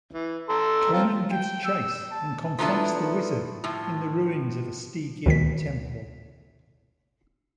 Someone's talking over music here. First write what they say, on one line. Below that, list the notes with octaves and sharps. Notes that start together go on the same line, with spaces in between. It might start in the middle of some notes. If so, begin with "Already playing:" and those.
Conan gives chase and confronts the wizard in the ruins of a Stygian temple.
E3
A4 A#5 C6
C4 F4
G5
E6
A5
F3 F#3 A3 B3 D4 E4
A2 F3
D2 D#3 B6